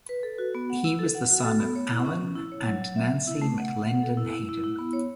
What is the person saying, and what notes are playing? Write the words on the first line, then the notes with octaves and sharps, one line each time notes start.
He was the son of Allen and Nancy McLendon Hayden.
B4
A4
F#4
B3
F#5
E4
A4
F#5
F#4
A4
B3
C#5
E4
C#4
C#4
E4
C#5
F#3
F#3
E5
E5
E4
A3
F#5
F#5
F#5
A4
E4
E4
E4
E4
B3
C#5